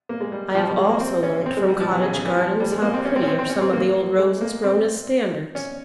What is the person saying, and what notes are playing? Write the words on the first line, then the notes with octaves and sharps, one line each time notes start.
I have also learnt from cottage gardens how pretty are some of the old Roses grown as standards.
A#3
G#3
G3
F3
G3
G#3
A#3
C4
C#4
C4
G#3
G3
F3
E3
C#3
C#3
E3
F3
G3
G#3
A#3
C4
C#4
C4
C#4
C4
C4
C#4
C4
A#3
G#3
A#3
C4
C#4